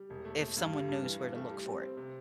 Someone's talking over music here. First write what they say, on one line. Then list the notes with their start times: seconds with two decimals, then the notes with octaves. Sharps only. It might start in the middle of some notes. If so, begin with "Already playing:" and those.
if someone knows where to look for it,
Already playing: G3
0.10 E1
0.25 A3
0.41 A3
0.57 G2
0.72 G3
0.88 G2
1.03 E3
1.19 E3
1.35 A3
1.50 G3
1.66 C4
1.81 C4
1.97 C3